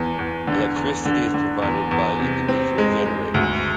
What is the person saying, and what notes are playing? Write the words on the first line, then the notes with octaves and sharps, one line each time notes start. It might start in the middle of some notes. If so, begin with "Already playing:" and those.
Electricity is provided by individual generators.
Already playing: E2
E2
D3
E2
D3
D3
E2
E2
C3
C4
G#3
G#3
D2